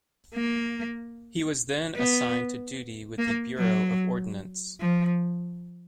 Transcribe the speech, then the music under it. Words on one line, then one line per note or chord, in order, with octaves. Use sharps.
He was then assigned to duty with the Bureau of Ordnance.
A#3
B3
A#3
F#3
F3